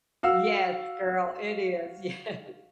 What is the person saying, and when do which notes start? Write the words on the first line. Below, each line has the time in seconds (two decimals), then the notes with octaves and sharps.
Yes, girl, it is, yes.
0.23 F#4 F5 E6